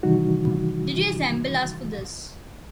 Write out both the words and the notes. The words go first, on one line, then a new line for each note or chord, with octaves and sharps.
Did you assemble us for this?
C3 D#3 E3 G3 D#4 F#4